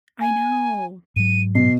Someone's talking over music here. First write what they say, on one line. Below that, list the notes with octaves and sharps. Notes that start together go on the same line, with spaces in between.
I know.
G#5
G#2 F#3 D#7
B2 C7